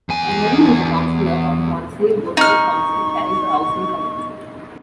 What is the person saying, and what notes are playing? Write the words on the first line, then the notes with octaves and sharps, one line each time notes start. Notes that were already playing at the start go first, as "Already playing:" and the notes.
Emery was a councillor on Hornsey Borough Council, chairing the housing committee.
E2 G#5
D#4 C#6 F6